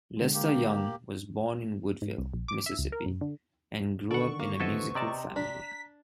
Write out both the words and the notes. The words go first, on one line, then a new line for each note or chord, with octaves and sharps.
Lester Young was born in Woodville, Mississippi, and grew up in a musical family.
D3 G#3
A#3 G4
G#2
C2
A#1
D6
E5
C#2
A#4
F#2
D3
D3 D#3 A4 D5 F#5 C#6
A#3
B3 C4 E4 F#4 A4 D#5
C3 D5 D#5 G5 A5 A#5
D4 A#5 B6